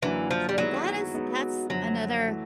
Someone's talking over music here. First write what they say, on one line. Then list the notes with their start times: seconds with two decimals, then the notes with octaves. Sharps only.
That is that's another,
0.02 F#2 D3 E3 F#3 A#3 D4
0.31 F3
0.49 G3
0.58 D#3 F#3 G#3 B3 E4
1.14 G#3 B3 D#4
1.70 F#2 D3 F3 F#3
2.27 E3 A3